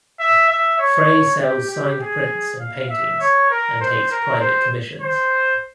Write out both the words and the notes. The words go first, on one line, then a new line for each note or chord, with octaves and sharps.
Frey sells signed prints and paintings, and takes private commissions.
E5
E5
C#5
G4
G4
G#4
F5
E5
C#5
A#4
C5
A#4
C5
C5